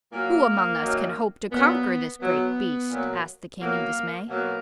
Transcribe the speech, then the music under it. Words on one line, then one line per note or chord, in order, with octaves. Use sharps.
"Who among us can hope to conquer this great beast?" asked the King, in dismay.
A#2 F#3 A#3
F#2 D#3 F#3
A#2 F#3 B3
B2 F#3 B3
A#2 F#3
B2 F#3 A#3
B2 F#3 A#3